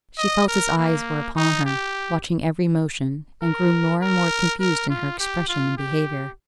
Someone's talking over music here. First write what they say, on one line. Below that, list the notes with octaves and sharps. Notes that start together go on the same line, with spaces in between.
She felt his eyes were upon her, watching every motion, and grew more and more confused in her expression and behaviour.
D#5
A#4
A#3
D#4
G4
A#4
A#4
A#4
F4
G4
F4
G4